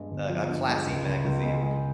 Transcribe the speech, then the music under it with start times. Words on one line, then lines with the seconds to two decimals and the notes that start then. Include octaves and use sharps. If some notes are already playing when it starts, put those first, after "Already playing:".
a a classy magazine.
Already playing: G2 G#3
0.11 G1
0.30 F3
0.49 G2
0.68 G#3
0.87 C#2
1.06 C#2
1.25 C#2
1.44 G#3
1.63 G#3